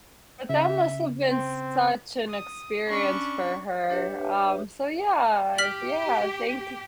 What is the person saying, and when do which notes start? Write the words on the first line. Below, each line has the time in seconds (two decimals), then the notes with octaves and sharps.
But that must have been such an experience for her, um, so yeah, yeah, thank y
0.50 C#3 E5
1.31 C4
2.28 D#6
2.89 C#4 D4 B5 C#6
3.90 D4 G4 B4 C#5 E5
5.58 G4 F6 B6 F#7